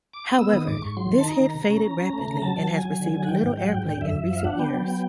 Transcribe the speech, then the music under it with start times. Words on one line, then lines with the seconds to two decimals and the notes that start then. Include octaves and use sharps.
However, this hit faded rapidly and has received little airplay in recent years.
0.13 D6
0.26 D#6
0.39 B3 E6
0.53 D#3 D#6
0.68 G#2 D6
0.82 G#2 C#6
0.97 F#3 C6
1.11 D#3
1.18 A5
1.26 D#4 A#5
1.40 D#3
1.55 C3
1.69 C#4
1.84 C#4
1.98 C#4
2.13 A3
2.27 C#3
2.42 F#3 A5
2.56 F#3
2.70 F#3 G#5
2.85 F#3
3.00 D3
3.14 F#3
3.24 F#5
3.29 D#3 G5
3.43 G#2
3.57 F#3 G5
3.65 F#5
3.72 G#2 G5
3.86 D3 G5
4.01 F#2 E5
4.16 F#2
4.30 F3
4.37 F5
4.44 D4 F#5
4.59 B3 G5
4.74 F#3
4.88 B3